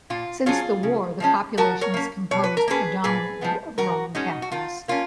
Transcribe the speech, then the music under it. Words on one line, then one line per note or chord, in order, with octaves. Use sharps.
Since the war the population is composed predominantly of Roman Catholics.
A#2 F4
F#3 C#4 F4 G#4
C#3
F3 G#3 C#4
F3 F#4 A#4
A#4 C#5
A#3 C#4
B2 C#5
B4
A#4
A#3 C#4 G#4 B4
A#2 G#4 B4
F3 G#3 B3
D#3 F#4 A#4
G#3 C#4 D#4 F#4
F#4
D#3 F4
A#3 C#4 F4